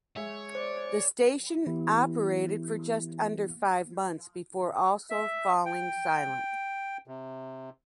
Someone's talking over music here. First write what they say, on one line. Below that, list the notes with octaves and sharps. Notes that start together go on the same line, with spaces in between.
The station operated for just under five months before also falling silent.
G#3 C#5 E5
C5 D5
E3 B3 E4 G4
E5
G5
C3